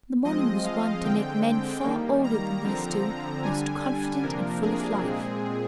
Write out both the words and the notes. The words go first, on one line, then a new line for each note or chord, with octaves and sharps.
The morning was one to make men far older than these two most confident and full of life.
F3 G#3 C4 D#5
F5
D3 G#3 C4 G5
D#3 G3 A#3
A#5
D3 F3 C4
D3 G3 D4 G#5
G#5
C3 F3 A#3 D4 A#4
G#4
A#2 G#3 C4